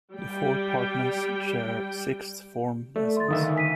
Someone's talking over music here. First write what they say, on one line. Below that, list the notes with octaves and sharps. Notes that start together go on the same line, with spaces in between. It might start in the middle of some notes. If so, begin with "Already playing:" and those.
The four partners share Sixth Form lessons.
G3 G5
A3 A4 D5
C6 A6
D3 D#3 E5 F5 D#6
G#5 B6 D#7